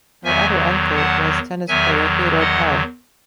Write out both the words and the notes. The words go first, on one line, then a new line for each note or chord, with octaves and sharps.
Her other uncle was tennis player Theodore Pell.
E2 D#3 F#3 E5 G#5
F#5 A5
E2 D#3 F#3 E5 G#5
D#5 F#5